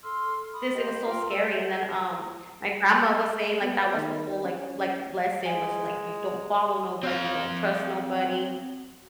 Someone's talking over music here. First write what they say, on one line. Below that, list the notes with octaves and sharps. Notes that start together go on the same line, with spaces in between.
this it was so scary, and then, um, my grandma was saying, like, that was the whole, like like, lesson, was, like, you don't follow nobody, don't trust nobody,
A4 C6 E6 F6
B5 D#6
G4 C5 D#5 G5
F4 A#4 G5 C6
E6
G6
B3
D#3
C#4
G#3 G#5
C4 F5